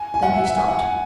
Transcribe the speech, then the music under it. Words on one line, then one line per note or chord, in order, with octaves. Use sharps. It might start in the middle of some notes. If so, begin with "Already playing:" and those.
Then he stopped.
Already playing: G#5
G#5
F#5
E5
E5
G#5
F#5
G#5